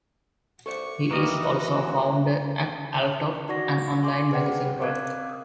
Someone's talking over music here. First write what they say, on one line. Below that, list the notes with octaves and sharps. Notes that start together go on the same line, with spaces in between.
He is also a founder at Alltop, an online magazine rack.
A4 C5 D5 C#6
E3 G3 A#3 B4 D#5
F#4
G#3
D#4 F#4 D5 F#5 C#6 A#6
G#5 C6 D6
G#4 B4 D5 F#5 G5
C4 A#4 F5 D6 F#6 G#6
D#6